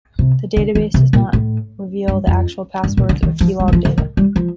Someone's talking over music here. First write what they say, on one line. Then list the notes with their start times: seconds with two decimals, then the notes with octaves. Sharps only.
The database does not reveal the actual passwords or keylogged data.
0.19 C3
0.57 D3
0.75 D#3
0.94 C3
1.13 A#2
1.33 A2
2.08 G2
2.27 F2
2.84 G2
2.97 A#2
3.09 D3
3.23 D#3
3.41 F3
3.60 G3
3.68 D#3
3.73 F3
3.85 D3
3.98 D#3
4.17 G3
4.36 F3